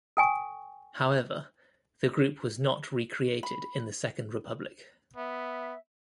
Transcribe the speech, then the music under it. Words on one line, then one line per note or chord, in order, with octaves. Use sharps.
However, the group was not recreated in the Second Republic.
A4 G5 G#5 C#6
B5
B3 E5